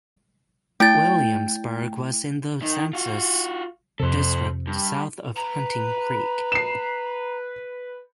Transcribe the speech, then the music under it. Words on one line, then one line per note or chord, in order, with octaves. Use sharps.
Williamsburg was in the census district south of Hunting Creek.
A3 E4 G5 A6
D#3
F4 F#4
F2 C3 A4 C5
G2
B4 A#5
C7 E7